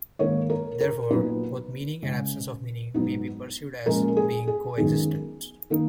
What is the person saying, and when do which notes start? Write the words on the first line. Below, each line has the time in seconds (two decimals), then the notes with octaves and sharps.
Therefore, both meaning and absence of meaning may be perceived as being co-existents.
0.19 G#2 D#3 A#3 D#4 C#5
0.50 A#4
0.81 A#4
1.11 A#2 F#3 B3 D#4 B4
2.02 C#3 G#3 C#4
2.94 G#2 F#3 B3 D#4
3.86 A#2 F3 G#3 C#4 A#4
4.17 G#4
4.47 G#4
4.78 F#2 D#3 G#3 B3 D#4 G#4
5.70 D#3 A#3 D#4